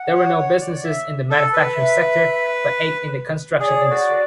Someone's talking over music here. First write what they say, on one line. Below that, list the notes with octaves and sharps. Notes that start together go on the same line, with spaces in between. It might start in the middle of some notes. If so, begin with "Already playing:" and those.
There were no businesses in the manufacturing sector, but eight in the construction industry.
Already playing: F#5
C#5
C#5
D5
E5
A4
B4
E5
G#4 D5
C#5
D5
F#4